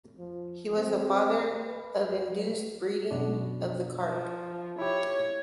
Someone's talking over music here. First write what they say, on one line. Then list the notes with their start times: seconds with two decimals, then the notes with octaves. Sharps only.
He was the "father of induced breeding" of the carp.
0.18 F3
0.76 C4
1.67 B4
3.11 F#2 B2 D4
4.03 F3
4.79 E4 G4 C#5